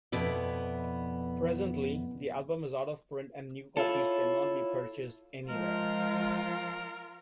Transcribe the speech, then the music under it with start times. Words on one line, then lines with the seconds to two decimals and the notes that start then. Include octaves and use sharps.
Presently, the album is out of print and new copies cannot be purchased anywhere.
0.12 F2 B2 B3 E4 D5
3.77 E4 F4 A4 C#5
5.49 F3 G#3 F4 A#4